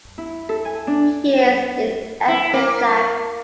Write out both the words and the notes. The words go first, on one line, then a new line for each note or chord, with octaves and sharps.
He is an Ethnic Lak.
E4
A4
G#5
D4
E4
A#3